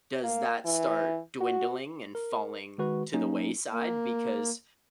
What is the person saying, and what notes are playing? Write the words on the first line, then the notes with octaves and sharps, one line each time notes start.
does that start dwindling and falling to the wayside because
A#3
E3
F#4
A#4
D#3 G#3 F#4 B4
F#3 A#3 C#4 D#4
A#3